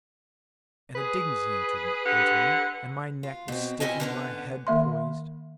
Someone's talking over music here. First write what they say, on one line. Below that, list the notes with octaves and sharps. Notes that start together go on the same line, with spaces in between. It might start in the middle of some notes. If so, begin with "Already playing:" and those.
And a dignity entered into me, and my neck was stiffened, my head poised.
G#4 B4
D3 G4 F#5
F4
B2 C4
C4 C#4 E4 A4 D#5 G#5
D3 B3 C#4
D#3 A#3 E5 C6